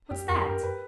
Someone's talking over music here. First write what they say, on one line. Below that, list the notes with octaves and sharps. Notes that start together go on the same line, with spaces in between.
"What's that?"
F#2 G4
E2 A#4
F#2 G4
G2 A#4
F#2
B4